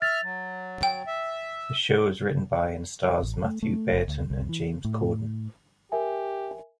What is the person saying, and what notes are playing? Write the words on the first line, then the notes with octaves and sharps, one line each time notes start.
The show was written by, and stars, Mathew Baynton and James Corden.
E5 F6 A6
F#3
G5
E5
A1
A3
A3
F#1
D2
C2
E3
A2
G4 A#4 E5 G#5